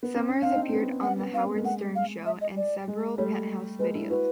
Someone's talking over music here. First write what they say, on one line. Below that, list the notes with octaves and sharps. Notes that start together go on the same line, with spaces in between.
Summers appeared on "The Howard Stern Show" and several Penthouse videos.
B3
C4
C#4
C4 D4 F5
D#4
C4 D4
C4
B3 C#4
B3 C#4 F#5
B3 C#4
A#3 C4 F5
A3 B3
G#3 A#3
A3
G#3 F#5
F5
E5
D#5
D5
G#3
G3 A3 C#5
G#3 A#3 B4
D4 E4
E4 F#4 B4